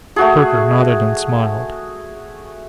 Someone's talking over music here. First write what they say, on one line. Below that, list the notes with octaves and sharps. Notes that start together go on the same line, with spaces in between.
Perker nodded and smiled.
A3 F#4 G#4